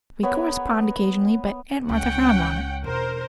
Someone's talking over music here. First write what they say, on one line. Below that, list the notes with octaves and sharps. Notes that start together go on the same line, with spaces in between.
We correspond occasionally, but Aunt Martha frowns on it.
B3 A#4 C#5 F#5
C#2 C#4 F#5 G5
E1 A#4 C5